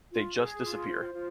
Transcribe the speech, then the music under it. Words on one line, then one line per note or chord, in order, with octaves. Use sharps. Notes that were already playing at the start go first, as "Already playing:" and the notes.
They just disappear.
F4
G#4
F4
C5
F4